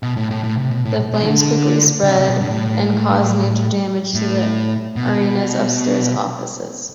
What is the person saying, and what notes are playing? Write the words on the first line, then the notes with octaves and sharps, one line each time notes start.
The flames quickly spread and caused major damage to the arena's upstairs offices.
B2
A2
A2
A2
C3
B2
A2
B2
E3
D3
D3
C3
C3
B2
G2
A2
A2
B2